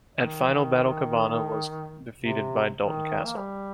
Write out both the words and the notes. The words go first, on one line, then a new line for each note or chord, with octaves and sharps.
At Final Battle Cabana was defeated by Dalton Castle.
D#3
F3
D#3
C3
D#3
A#3
G3